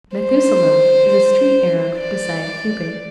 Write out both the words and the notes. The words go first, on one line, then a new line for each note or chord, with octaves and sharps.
Methusalem is a street arab beside Cupid.
C5
D5